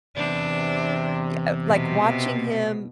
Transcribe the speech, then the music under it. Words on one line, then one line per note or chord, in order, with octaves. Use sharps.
y uh, like watching him,
E2 C3 D4
B2